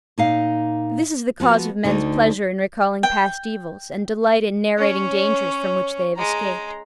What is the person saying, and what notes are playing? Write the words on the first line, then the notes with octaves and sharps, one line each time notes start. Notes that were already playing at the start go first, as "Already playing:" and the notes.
This is the cause of men's pleasure in recalling past evils, and delight in narrating dangers from which they have escaped.
A#2 D#4 F5
F3 B3 F4 F#4
D2 D3 D#4
G5
C#4 C#5
G#3 A#5